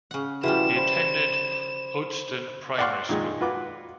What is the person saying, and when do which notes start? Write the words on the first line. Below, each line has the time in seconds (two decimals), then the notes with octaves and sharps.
He attended Udston Primary School.
0.11 C#3 F#5
0.43 C#3 F3 G3 E4 F#4 B4 E7
0.77 C5 B5
2.78 D5 F5 F#5 C6 C#6
3.09 A#2 D#3 G#3
3.41 F4 F#4 B4 F#5 D6